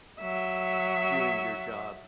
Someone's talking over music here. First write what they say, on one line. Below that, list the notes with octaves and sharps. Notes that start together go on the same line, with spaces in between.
doing your job,
F#3 E5